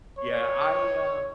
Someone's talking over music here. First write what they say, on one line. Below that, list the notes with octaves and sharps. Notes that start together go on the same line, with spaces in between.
Yeah, I, uh
C#5